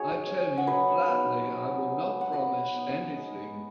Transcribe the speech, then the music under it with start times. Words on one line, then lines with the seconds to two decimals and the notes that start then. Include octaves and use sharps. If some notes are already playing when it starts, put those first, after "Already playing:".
I tell you flatly I will not promise anything.
Already playing: G#3 D#4 F#4 G#4 C#5
0.26 C#4
0.58 F#5
0.67 F#3 B4 D#5
1.08 B3 D#4
1.51 F#3
1.92 B3 D#4
2.21 F#5
2.33 F#3 B4 D#5
2.75 B3 D#4
3.16 G#3